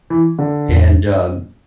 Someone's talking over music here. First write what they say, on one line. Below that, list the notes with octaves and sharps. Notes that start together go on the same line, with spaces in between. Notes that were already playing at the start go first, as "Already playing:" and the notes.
and, um,
E3
D3
E2